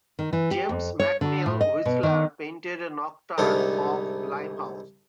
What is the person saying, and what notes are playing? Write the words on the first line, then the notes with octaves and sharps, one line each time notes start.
James McNeill Whistler painted a "Nocturne of Limehouse".
D#3
E3
G4
F2
C#5
D3
A2
D#5
B2
D#3
C2 G#2 D3 A3 B3 A4